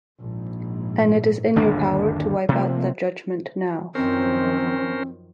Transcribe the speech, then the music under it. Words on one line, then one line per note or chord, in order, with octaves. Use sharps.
And it is in your power to wipe out that judgment now.
A#1 G#2
G1 D#2 D4
C3 F3 A3 A#3
F#2 D#3 F3 C4 C#4 A#4 C5